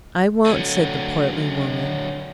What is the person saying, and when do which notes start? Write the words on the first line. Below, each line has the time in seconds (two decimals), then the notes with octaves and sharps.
"I won't," said the portly woman.
0.46 D3 F#3